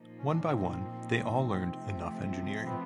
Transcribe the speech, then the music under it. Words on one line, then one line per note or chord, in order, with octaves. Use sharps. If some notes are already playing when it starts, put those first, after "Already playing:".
One by one, they all learned enough engineering.
Already playing: A#2 F3 A#3 D#4
C#4
D4
C#4
C4
C3 F3 A3
B3